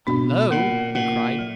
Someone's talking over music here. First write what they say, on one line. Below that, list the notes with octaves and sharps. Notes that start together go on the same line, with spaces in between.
"Hello!" he cried.
B2 D4
A#2 A#3
A#2 A#3
F#3